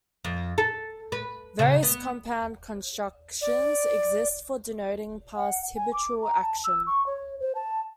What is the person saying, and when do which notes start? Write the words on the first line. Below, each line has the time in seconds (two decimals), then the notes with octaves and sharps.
Various compound constructions exist for denoting past habitual action.
0.24 F2
0.58 A4
1.12 B4
1.59 C#3
1.83 B3
3.41 D5
5.36 F#5
5.76 G#5
5.93 D6
6.22 A#5
6.42 A5
6.64 E6
6.86 C#6
7.07 C#5
7.40 C5
7.55 A5